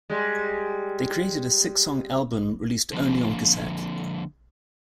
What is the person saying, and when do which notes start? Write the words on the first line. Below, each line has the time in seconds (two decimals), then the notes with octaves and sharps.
They created a six-song album released only on cassette.
0.10 G3 G#3
2.93 D3 F3 A#3